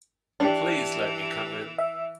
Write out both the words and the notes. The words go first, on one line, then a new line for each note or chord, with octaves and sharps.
Please let me come in.
E3 D4 G4 D5 A5
E5